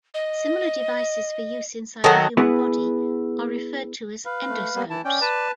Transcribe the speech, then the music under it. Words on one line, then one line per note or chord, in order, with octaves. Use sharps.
Similar devices for use inside the human body are referred to as endoscopes.
D#5
D#3 F#3 A4
B3 E4 G#4 B4
B4 F5
A3
G3 A#3 B3
E3 E4 A5
C#4 D5 G5
B4 A5